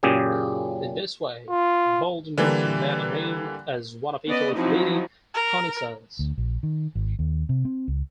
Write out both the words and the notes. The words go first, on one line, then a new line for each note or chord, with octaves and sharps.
In this way Baldinucci made a name as one of Italy's leading connoisseurs.
F#2 A#2 C#3 G4 G#4
F4
D3 E3 G3 A#3
B3 C#4 B4 D5 D#5
F3 F#3 C4 D#4 E4
A#4
D2
A#1
D#3
G#1
D#2
C3
C4
C#2